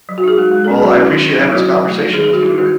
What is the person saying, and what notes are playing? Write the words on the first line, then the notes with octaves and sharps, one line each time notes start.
Well, I appreciate having this conversation with you today.
F#3
F#4
D#4 G#4
G#3 F#4
G#3
C#4 A4
G#4
F#3 F#4
C#4 E4
D#3
D#4
F#3
E4
F#3 F#4
F#3
A3
D#4
D#3 G#4
G#4
D#3 F#4
D#4 E4
D#3 F#4